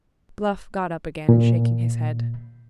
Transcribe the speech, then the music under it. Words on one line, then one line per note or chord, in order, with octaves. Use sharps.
Bluff got up again, shaking his head.
A#2